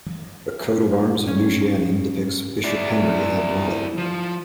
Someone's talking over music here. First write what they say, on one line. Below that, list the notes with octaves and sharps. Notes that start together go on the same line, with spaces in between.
The coat of arms of Nousiainen depicts Bishop Henry and Lalli.
C#4
E4 D5
F3